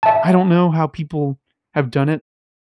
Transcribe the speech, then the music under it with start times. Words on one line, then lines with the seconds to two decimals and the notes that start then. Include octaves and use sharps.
I don't know how people have done it.
0.03 E5 A5